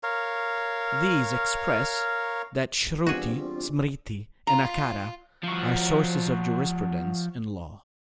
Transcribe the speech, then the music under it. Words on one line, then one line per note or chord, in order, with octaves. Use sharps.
These express that Shruti, Smriti and Acara are sources of jurisprudence and law.
A#4 C#5 F5
E2 G3 C4 D4 F4 F#4 G#4
F4 A#5
F3 F#4